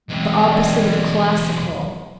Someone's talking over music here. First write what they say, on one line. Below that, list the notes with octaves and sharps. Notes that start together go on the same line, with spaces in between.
"The opposite of classical."
B1 E2 G3 G#3 C4